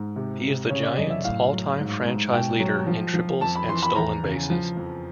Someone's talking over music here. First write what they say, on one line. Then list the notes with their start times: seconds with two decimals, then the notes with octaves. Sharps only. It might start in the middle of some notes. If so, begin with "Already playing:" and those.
He is the Giants' all-time franchise leader in triples and stolen bases.
Already playing: G#2
0.16 C3
0.43 C3
0.70 C#3 C#5
0.83 D5
0.97 F#2 D#5
1.10 E5
1.24 A2 F5
1.52 F#3
1.79 G#2
2.05 G#2
2.33 B2 G5
2.60 F#3
2.87 F3
3.14 F3
3.41 F2 A5
3.56 B5
3.69 E3 C6
3.83 B5
3.96 E2 A#5
4.23 C#3
4.50 F3
4.77 F2